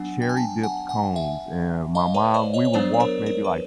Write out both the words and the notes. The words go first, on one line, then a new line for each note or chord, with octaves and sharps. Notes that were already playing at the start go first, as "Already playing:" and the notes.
cherry-dipped cones, and my mom we would walk maybe, like,
Already playing: F#3 B3 D4 F#5 G#5
G5
G#5
G5 A5
F#5 G#5
F#5 G#5
E5 F#5
D#5 F5
B4 C#5
C5 D5
C#5 D#5
C#5
F#3 B3 D4 C5 D5
C#5
A#4 C5
A#4 C5
B4